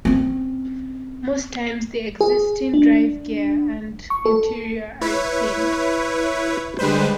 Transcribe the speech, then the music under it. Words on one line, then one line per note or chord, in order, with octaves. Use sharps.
Most times, the existing drive gear and interior are retained.
C4 C#4
G#4
D4
C#6
A4
E4 B4 C#5
D3 G3 G#3 B4 C5